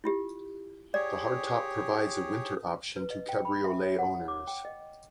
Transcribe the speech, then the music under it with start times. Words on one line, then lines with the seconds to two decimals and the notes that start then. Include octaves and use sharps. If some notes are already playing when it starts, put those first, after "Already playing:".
The hardtop provides a winter option to cabriolet owners.
0.04 E4 F4 G4
0.94 G4 G#4 C#5 D5
2.96 B4
3.10 D#5
3.29 G5
3.45 B5
3.64 E5
3.82 C#5
3.99 F#5
4.28 D6
4.48 G5
4.65 D#5